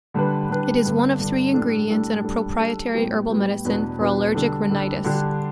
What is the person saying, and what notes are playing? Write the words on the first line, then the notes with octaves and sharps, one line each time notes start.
It is one of three ingredients in a proprietary herbal medicine for allergic rhinitis.
D3 G3 D4 B4
D3 G3 D4 B4
G2 D3 B3
G2 D3 B3
A2 G3 D4 A4
A2 G3 D4 A4
G3 D4 A4
G3 D4 A4
A2 G3 B3 G4
A2 G3 B3 G4
E2 B2 B3 D4 B4
E2 B2 B3 D4 B4
D3 G3 D4 A4
D3 G3 D4 A4
D3 G3 D4 G4